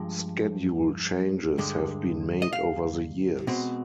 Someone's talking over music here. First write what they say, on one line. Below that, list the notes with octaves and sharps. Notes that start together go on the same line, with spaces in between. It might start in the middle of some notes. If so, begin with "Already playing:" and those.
Schedule changes have been made over the years.
Already playing: G2 F3 G#3
G2 D3 G#3
D#5
F5
B2 G#3 C4